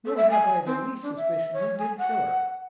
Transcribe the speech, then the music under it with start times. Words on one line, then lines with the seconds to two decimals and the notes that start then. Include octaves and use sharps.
Nor have I the least suspicion who did kill her.
0.05 A4
0.17 E5
0.30 G#5
0.66 C4
1.02 D4
1.17 E5
1.53 C#5
1.79 G#5
1.98 F#5